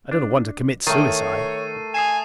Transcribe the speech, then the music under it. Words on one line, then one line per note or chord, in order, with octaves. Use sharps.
"I do not want to commit suicide."
D4
D#3 A3 A#4 C#5 A6 C7 D#7
G#5 D#6 C7 E7